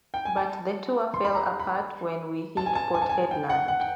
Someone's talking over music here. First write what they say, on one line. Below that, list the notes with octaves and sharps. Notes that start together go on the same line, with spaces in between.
But the tour fell apart when we hit Port Hedland.
G5
G#5
A5
C6
B5
A#5
B5
A5
G#5
A5
G#5
A5
G#5
G5
F#5
F#5
G5